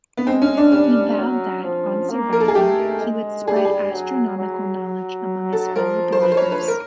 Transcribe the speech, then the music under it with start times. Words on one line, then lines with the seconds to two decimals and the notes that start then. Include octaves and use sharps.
He vowed that, on surviving, he would spread astronomical knowledge among his fellow believers.
0.17 B3
0.26 G#3 C4
0.42 C#4
0.57 D4
0.72 G3 C#4
1.18 F#3
1.64 F3
2.10 A#3
2.33 A#4
2.40 A4
2.48 G#4
2.55 A3 G4
3.01 G#3
3.47 G3 G#4
3.56 G4
3.65 G#4
3.93 F#3
4.38 F#3
5.53 A4
5.76 F3 A#4
6.12 C5
6.22 F3 B4
6.32 C5
6.37 C#5
6.52 B4
6.68 A#4